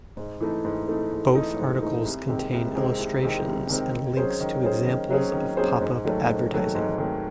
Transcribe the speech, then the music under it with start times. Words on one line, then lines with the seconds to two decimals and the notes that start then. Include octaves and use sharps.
Both articles contain illustrations and links to examples of pop-up advertising.
0.17 G#2
0.40 E3 A3 D#4
0.65 G#2
0.88 E3 A3 D#4
1.12 G#2
1.34 E3 A3 D#4
1.59 G#2
1.82 E3 A3 D#4
2.05 C2
2.29 C3 D#3 G#3 C4
2.53 C2
2.76 C3 D#3 G#3 C4
2.99 C2
3.22 C3 D#3 G#3 C4
3.46 C2
3.69 C3 D#3 G#3 C4
3.94 D#3
4.17 F#3 C#4 G#4 C5
4.41 D#3
4.63 F#3 C#4 G#4 C5
4.87 D#3
5.11 F#3 C#4 G#4 C5
5.33 D#3
5.57 F#3 C#4 G#4 C5
5.81 G#2
6.05 D#3 F#3 A3
6.28 G#2
6.52 D#3 F#3 A3
6.75 G#2
6.98 D#3 F#3 A3